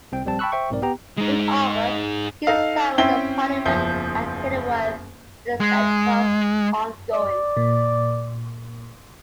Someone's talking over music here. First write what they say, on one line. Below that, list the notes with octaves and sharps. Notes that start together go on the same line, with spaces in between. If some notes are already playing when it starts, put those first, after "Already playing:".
In August, the king summoned a parliament at Kenilworth, where the siege was ongoing.
C2 C4 G5
A#1 G3 C4 A5
G5 A5 B5 C#6 E6 F#6
C5 E5 G5 C#6
B1 G#2 C4 A#4 D5
B3 G4 G5 A#5
G#3 D#4
D#4 A4 F5
C4 C#4 E4 G5 G7
F#1 E2 F3 E5 G6
G#3
D5
A#2